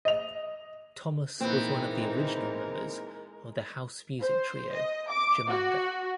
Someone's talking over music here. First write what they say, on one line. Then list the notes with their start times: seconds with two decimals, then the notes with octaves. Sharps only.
Thomas was one of the original members of the house music trio, Jomanda.
0.05 D#5 F7
1.41 A#2 E3 G#3 B3 C4 D#4 A#4
4.21 C5
4.72 D#5
5.10 D6
5.48 F#4